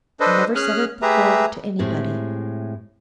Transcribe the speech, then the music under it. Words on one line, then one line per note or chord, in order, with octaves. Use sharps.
I never said it before--to anybody.
D4 A4 B4 C5 D#5
C#4 G#4 F6 F#6
A3 G4 G#4 B4 E5 A#5
A2 G#3 C4 E4 G4 A4